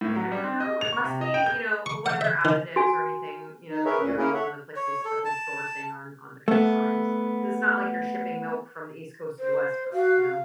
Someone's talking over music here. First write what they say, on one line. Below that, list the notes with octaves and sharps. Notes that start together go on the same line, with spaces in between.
I I don't know, it must be, you know, whatever additives or anything, you know, they doing from the place that they're sourcing on on the coastlines, 'cause it's not like you're shipping milk from the East Coast to the West Coast, you know.
A2
F#3
G3
C4
D#5
F7
C#6
C3
D#5
G5
G6
C#6
F#5
E5
D#3
F#4 G#5
D#4
G#4 A#4 B4 C#5 E5
D2 A#2 C#4
A#3 C#4 E4 G#4 A#4
A4 C#5 E5 F#5
C#5
A4
A5
A3 B3
C5
F#4 F5